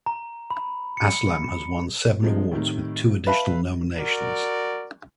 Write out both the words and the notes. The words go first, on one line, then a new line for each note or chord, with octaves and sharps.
Aslam has won seven awards with two additional nominations.
A#5
B5
C#7
C3 F3 G#3
A2 C3 D#3
B4 E5 F5 A5 B5
F#4 A#4 D5